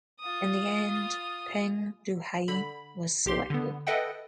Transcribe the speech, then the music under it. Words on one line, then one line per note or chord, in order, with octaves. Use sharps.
In the end, Peng Dehuai was selected.
F4 D#6
D3 B5
B1 G4 C6
D3 B3
A4 B4 D#5 E5 F#5 G5